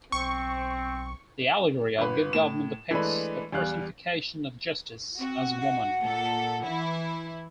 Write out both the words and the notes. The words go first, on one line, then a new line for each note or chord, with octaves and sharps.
The Allegory of Good Government depicts the personification of Justice as a woman.
B1 C4 C#6
G1 B4
A2 E7
E3 G#3 A3 D4 B4
E2 G3 F5 F#6
C4 F#4
F#5
A#2 A4
E3 E4